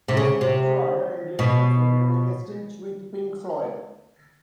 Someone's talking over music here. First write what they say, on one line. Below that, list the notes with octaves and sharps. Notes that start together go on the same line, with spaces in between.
This led to other engagements including a stint with Pink Floyd.
C3
C#3
C3
B2